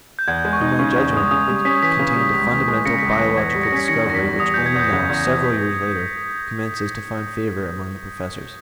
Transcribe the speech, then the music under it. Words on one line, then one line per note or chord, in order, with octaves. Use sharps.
In my judgment, it contained a fundamental biological discovery which only now, several years later, commences to find favor among the professors.
G6
E2 G#6
G#3
C#6
D#4
C#3 C#6
C#6
E2
G#3 D#6
C#3 D#6
G3
C#4 B6
E3 B6
C#3
G3
C#2
E3
G#3
C#3 A#6 C#7
B6
C#2
A#6 C#7
E3 B6
E2 G#6
B6
G3
A#6 C#7
C#4 B6
D#3 A#6 C#7
E2 A#6
B6
G3
E2 D#6
G6
E3
G#6
E2 G6
C#3 B6
E2
E3
B6